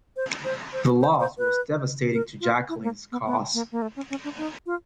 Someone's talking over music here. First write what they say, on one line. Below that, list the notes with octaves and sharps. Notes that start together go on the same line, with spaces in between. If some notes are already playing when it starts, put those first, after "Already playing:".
The loss was devastating to Jacqueline's cause.
C5
C5
C5
C5
C5
B4
A#4
F4
E4
A#3
B3
B3
A#3
A#3
A3
C#4
C#4
D4
D#4
F4